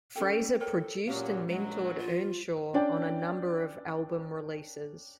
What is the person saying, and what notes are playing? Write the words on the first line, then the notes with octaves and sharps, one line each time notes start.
Fraser produced and mentored Earnshaw on a number of album releases.
C#4 G#4 A4 G5
A4 A#4 C#5 G5
A#2 C#3 F#3 C#4 G4 F5
A#1 D#2 F#3 G#3
F4
C#4 D4 D5 G5